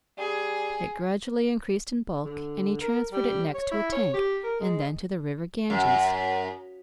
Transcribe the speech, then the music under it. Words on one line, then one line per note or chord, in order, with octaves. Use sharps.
It gradually increased in bulk, and he transferred it next to a tank and then to the river Ganges.
G3 G#4
D3
A#4
G3
C#5
E4
C#5
G4
A#4
G#3
F#2